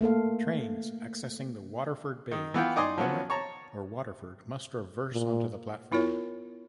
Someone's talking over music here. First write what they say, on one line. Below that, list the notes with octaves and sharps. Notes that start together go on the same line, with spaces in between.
Trains accessing the Waterford bay from Limerick or Waterford must reverse into the platform.
A3 A#3 A4 F5
D#3
E3 B3 F4 G5
D#4 D5 D#5 G#5 C6
F3 F#3 B3 C#4
C#5 A5 A#5
A#2
B3 E4 F4 A#4 C#5